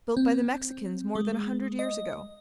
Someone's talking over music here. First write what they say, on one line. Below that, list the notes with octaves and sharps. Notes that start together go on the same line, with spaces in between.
"Built by the Mexicans more than a hundred years ago."
C4
G#3
D#5